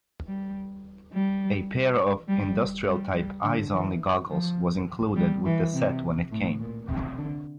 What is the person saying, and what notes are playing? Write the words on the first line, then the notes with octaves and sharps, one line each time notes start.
A pair of industrial-type eyes-only goggles was included with the set when it came.
G3
G3
G3
G3
G3
D3
E3
F3
G3
E3
C3
A2
A#2
C3
D3